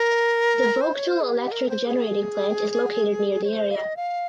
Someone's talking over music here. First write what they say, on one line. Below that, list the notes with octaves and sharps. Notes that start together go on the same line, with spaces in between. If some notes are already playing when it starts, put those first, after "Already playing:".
The Vogtle Electric Generating Plant is located near the area.
Already playing: A#4
C5
C#5
C5
G#4
G4
A#4
C5
G#4
C#5
C5
F5
D#5
F5